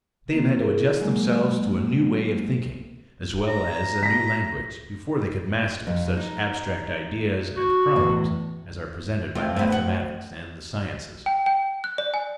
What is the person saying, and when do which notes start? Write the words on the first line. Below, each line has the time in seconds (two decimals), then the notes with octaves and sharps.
They have had to adjust themselves to a new way of thinking, as well as a new language, before they could master such abstract ideas and problems as are presented by mathematics and the sciences.
0.33 A#3 C4
0.60 E4 G#4 A#4
1.00 F#3 G#3 A#3
3.48 A#5
4.03 A#6 B6
5.87 F2
6.17 D#4
7.56 F#4
7.96 E2 A2
9.35 A3 C4 F4
9.56 B3 C4
9.72 F#4
11.26 G5
11.46 G5
11.84 F#6
11.98 D5
12.14 G#5